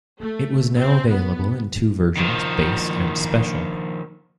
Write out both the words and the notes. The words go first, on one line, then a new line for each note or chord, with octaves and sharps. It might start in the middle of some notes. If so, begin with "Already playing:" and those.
It was now available in two versions, base and Special.
A3
C4
B3
D#3 F3